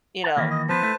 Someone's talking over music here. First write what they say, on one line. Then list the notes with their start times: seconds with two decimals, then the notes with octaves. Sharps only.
You know?
0.23 F#5 A5
0.37 D#3 E3 A#3
0.51 D#5
0.69 F3 B3 B4 C5 A5
0.83 A3 E4